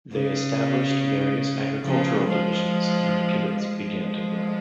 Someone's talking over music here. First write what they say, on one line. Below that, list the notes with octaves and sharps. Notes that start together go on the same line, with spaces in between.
They established various agricultural divisions and the kibbutz began to grow.
C#3
C#3 F3
F3 G#3
F3 G#3